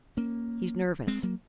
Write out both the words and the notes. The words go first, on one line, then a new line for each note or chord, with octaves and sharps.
He's nervous.
A#3 C#4
G#3 C4
F#3 A#3